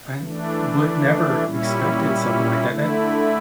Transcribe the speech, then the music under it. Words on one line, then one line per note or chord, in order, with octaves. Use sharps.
I I would’ve never expected something like that that
E3 A3 D4
A#2 G3 C#4 E4
D3 A3 E4